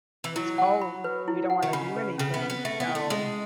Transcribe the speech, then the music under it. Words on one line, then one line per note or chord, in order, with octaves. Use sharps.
it's cold. We don't wanna do anything. So,
E3
F#3 E4
F#5
B5
B4
E4
F#5
D#3
C#3 B5
B4
C#3 C#4
B3
B4
B3
A3 E5
B3
E4
A3
G#3 C#4